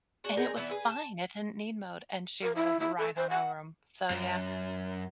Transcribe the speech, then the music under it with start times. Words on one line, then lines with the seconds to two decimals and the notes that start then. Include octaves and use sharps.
And it was fine, it didn't need mowed, and she rolled right on over 'em. So, yeah,
0.24 D4 F#4 G#4
0.37 C4 D#4 G#4 A#4
0.57 D3 E3 B3 E4
0.71 G#4 B4
0.89 A5
2.42 A#4
2.56 E4
2.80 E4
2.98 A4
3.16 C5
3.30 F#5
4.10 F#2